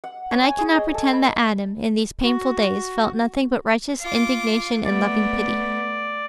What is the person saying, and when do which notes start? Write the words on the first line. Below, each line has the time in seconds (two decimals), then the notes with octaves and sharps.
And I cannot pretend that Adam, in these painful days, felt nothing but righteous indignation and loving pity.
0.04 F#5
0.31 C#5
0.44 G#5
0.58 G#4
0.75 D#5
0.94 A4
1.13 B5
2.23 F#4
4.01 F4 D6
4.85 A3 B3 D5